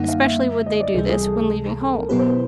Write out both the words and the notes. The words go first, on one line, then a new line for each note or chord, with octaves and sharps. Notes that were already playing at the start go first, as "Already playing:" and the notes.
Especially would they do this, when leaving home.
Already playing: F#2 D3 G3 A#3 D#4 F#5
F5
E5
D#5
D5
C#2 C3 E3 G3 G#4
G#4
A4
A4
A#4
B2 F#3 B3 E4 G4 B4
C5
B4